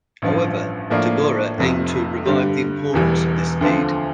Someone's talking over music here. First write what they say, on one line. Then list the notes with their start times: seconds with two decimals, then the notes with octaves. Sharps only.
However, Tagore aimed to revive the importance of this deed.
0.22 A1 G2 F3
0.90 A2 F3 A#3 D4
1.58 F1 F2 C3
2.26 G2 D3 G3
2.93 E1 E2 E3 G3
3.61 D2 D3 F3 C4